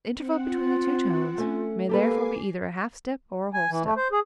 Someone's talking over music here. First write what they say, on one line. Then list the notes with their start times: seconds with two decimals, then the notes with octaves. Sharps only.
The interval between the two tones may therefore be either a half-step or a whole-step.
0.14 C4 F#5
0.46 F4
1.38 A3 C#4
1.89 A#3 G4 A4 B4 G#5 D6 C7
3.53 G#5
3.70 E3
3.84 A3
3.97 C5
4.12 G#4